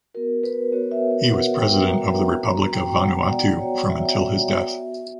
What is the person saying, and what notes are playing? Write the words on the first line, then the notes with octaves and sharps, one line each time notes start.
He was president of the Republic of Vanuatu from until his death.
B3 F#4 A#4
B4
B3 F#4 C#5
E5
E5
B3 F#4 F#5
G5
G5
B3 F#4 A#5
B3 F#4 A#5
G5
B3 F#4 F#5
D5
B3 F#4 C#5
E5
B3 F#4
B3 F#4